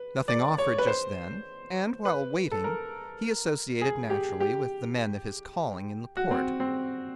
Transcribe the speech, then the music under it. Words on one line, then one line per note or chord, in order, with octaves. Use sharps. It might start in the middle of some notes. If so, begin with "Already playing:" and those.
Nothing offered just then, and, while waiting, he associated naturally with the men of his calling in the port.
Already playing: B4
D5
C#5
B4
C5
B4
A4
A#4
G#4
G4
G4
F#4
C4
C4